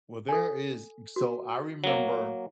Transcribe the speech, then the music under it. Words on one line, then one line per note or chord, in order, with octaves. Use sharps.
Well, there is so I remember
A4 G#5
F#4
F#3 A#3